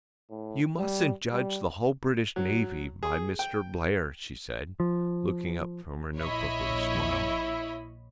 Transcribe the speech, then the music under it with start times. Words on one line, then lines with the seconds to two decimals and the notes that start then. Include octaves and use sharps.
"You mustn't judge the whole British Navy by Mr. Blair," she said, looking up from her note-book with a smile.
0.30 A2
0.78 G3
1.32 G3
2.36 F#3
3.03 G#4
3.39 G5
4.80 F3
6.18 A#1 E4 C#5 D#5 B5